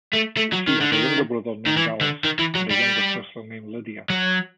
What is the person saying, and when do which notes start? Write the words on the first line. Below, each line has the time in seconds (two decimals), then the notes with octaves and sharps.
She has a younger brother named Dallas and a younger sister named Lydia.
0.13 A3
0.37 A3
0.53 F#3
0.68 D#3
0.81 D3
0.93 D#3
1.66 D#3
1.77 E3
2.01 D3
2.24 D#3
2.39 E3
2.55 F#3
2.71 G3
4.10 F#3